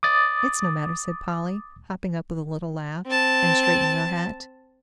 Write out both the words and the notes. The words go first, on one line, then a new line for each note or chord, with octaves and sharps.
"It's no matter," said Polly, hopping up with a little laugh, and straightening her hat.
D6 D#6 A6
C4 A5